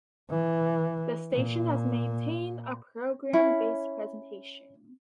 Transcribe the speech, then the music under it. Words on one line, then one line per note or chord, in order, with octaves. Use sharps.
The station has maintained a "programme based" presentation.
E3
A#2
C#4 E4 C#5